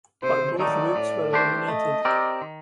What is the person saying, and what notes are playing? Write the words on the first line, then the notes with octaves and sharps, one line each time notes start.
But both routes were eliminated.
C3 C5
D#3 F#3 A3 D#4 D5
A2
A3 D4 G4 C5
A3 D#5
C4 G4 A#4 D5
D#3